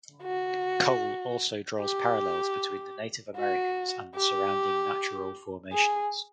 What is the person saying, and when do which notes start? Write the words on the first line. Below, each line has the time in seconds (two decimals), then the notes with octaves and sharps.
Cole also draws parallels between the Native Americans and the surrounding natural formations.
0.23 F#4
1.80 G4
3.37 F#4
4.15 G4
5.72 G#4